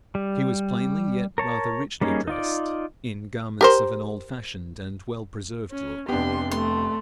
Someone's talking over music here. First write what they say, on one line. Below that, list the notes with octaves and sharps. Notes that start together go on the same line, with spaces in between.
She was plainly yet rather richly dressed, in garments of an old-fashioned and well-preserved look.
G3
A#4 C#5 A5
G3 A#3 C#4 D#4 G#4
D#4 F4 D5
G4 A#4 C5
C#4
F1 B3 D4 G4 C6
A3 C6